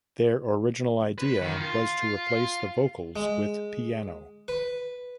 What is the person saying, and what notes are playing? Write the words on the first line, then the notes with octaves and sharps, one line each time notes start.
Their original idea was to replace the vocals with piano.
B4
D#3
F4
G#3
B4